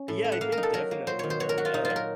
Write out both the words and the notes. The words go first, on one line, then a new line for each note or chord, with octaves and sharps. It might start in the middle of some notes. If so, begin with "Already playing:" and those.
Yeah, I think definitely. Like, I
Already playing: C#4
A2
A3
F#5
A#3 F5
A#4
D#4
A4
F#3 A#4
A#3
F#3 C5
D#3 C#5
C5
F#3 C#5
A#4
F#3 F#4
F4
A#2 D#4
F4
F#3
A#4